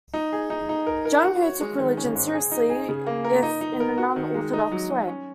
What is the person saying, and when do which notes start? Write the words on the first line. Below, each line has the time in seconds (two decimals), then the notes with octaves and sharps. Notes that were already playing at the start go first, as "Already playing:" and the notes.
Jung, who took religion seriously, if in an un-orthodox way.
0.14 D#4
0.32 G#4
0.50 D#4
0.69 D#4
0.87 A#4
1.05 A#4
1.23 F#4
1.42 C#5
1.60 G#3
1.78 D#3
1.97 C#4
2.15 G#2
2.33 G#4
2.52 D#4
2.70 G#4
2.89 C#3
3.07 A#3
3.24 A#4
3.43 D#4
3.61 D#4
3.80 A#4
3.98 F#4
4.16 D#3
4.34 G#3
4.53 D#4
4.72 F#3
4.90 F#3
5.07 C#4